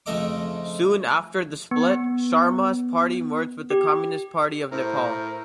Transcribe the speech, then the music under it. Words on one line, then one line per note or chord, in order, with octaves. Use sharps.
Soon after the split Sharma's party merged with the Communist Party of Nepal.
F2 C#3 A3 A4 D#5 D6
B3
G4
A2 A#4 C5